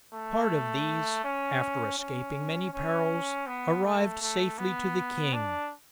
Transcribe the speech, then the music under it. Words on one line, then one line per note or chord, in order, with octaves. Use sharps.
Part of these, after escaping many perils, arrived safely to the king.
A3
C#4
C#4
C#4
B3
A3
A3
B3
D4